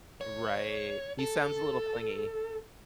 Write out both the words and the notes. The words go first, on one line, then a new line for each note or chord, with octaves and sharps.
Right. He sounds a little clingy.
C#5
A4